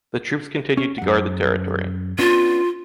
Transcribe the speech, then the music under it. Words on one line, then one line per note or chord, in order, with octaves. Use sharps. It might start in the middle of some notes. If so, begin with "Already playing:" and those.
The troops continued to guard the territory.
C#4
F#2 F#5
B3 C#4 D4 F4